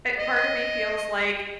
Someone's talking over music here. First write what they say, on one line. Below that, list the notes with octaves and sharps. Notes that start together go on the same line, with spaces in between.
eh part of me feels, like,
D#5